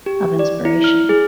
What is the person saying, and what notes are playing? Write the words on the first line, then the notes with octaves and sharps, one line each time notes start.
of inspiration.
G4
D5
E4
F6
G#4